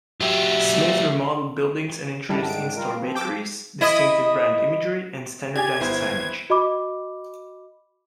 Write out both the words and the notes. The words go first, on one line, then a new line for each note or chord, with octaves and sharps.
Smith remodeled buildings, and introduced in-store bakeries, distinctive brand imagery, and standardized signage.
F#3 G4 E5
G#2 D#3 G3 D4 E4 A4
D7
G3 F4 A#4
F3 C4
G5 D6 E6
E4 D#5
G4 G#4 D5 G#6
G1 B3 E4 C5
F#4 D#5 B5 D6